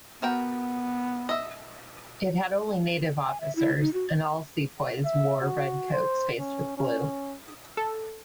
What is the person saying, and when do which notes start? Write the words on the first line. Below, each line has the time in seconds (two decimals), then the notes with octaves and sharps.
It had only native officers and all sepoys wore red coats faced with blue.
0.22 B3 F#4 A#4 G5
1.29 D#5 E5
3.23 G#5
3.41 E5
3.56 E4
3.80 D#4
3.93 F#4
5.05 E5
5.41 F#4
5.93 C5
6.39 C#4
6.77 C#4
7.77 A4